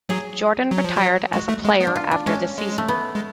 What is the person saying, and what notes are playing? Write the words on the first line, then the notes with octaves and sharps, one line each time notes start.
Jordan retired as a player after the season.
F#3 G#4
F#3
F3
F#3
G#3 F#4
A3
G#3
B3
D4
F4
D4
G#3 C#4
G#3
A3
B3
G#3